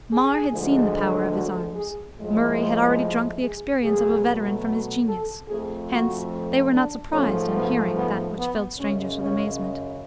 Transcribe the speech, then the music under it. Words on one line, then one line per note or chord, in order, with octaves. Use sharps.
Mar had seen the power of his arms; Murray had already drunk the experience of a veteran from his genius; hence they were not surprised on hearing that which filled strangers with amazement.
G#4
D2 D3 F3 G#3
F#4
G#4
A2 F3 G#3
G#4
B2 F#3 A3 G#4
A4
F2 F3 A3 G#4
F#4
D4
G#2 F3 A3 C#4
B3
B3
B3
F#2 C#3 G#3 C#4
C#4